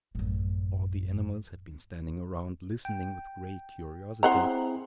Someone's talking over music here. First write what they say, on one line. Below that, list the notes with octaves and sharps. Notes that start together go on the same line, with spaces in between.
All the animals had been standing around listening with great curiosity.
A1 F#2
G5
C4 E4 G#4 C5 F#5 A#5